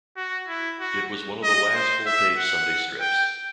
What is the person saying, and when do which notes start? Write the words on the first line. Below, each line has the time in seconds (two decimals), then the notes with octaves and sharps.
It was one of the last full page Sunday strips.
0.17 F#4
0.48 E4
0.80 F#4
1.43 D#5
1.75 C5
2.06 E5
2.37 F#5
3.01 G5